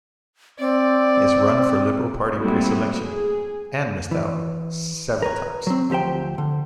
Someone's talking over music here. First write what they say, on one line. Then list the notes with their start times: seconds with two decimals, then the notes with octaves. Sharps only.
He has run for Liberal Party preselection - and missed out - "several times".
0.59 C4 D5
2.37 F#3 G3 A3 A#3 C4 E4
3.00 G#4
4.11 E3
5.22 A#4 B4 C#5
5.67 F#3 C4
5.90 D2 F3 G4 C5 G5
6.38 D3